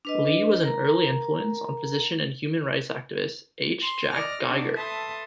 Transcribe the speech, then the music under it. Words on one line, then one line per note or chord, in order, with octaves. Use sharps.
Lee was an early influence on physician and human rights activist H. Jack Geiger.
D4 B4 D#5
A#4 A#5
C6
D5 D#5 F6 A#6
D4 D#4 F#4
A4 B4 E5 A5 C6 D#6